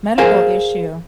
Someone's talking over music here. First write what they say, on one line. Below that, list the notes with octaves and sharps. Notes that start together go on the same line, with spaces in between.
medical issue.
G#4 A#4 C5 F5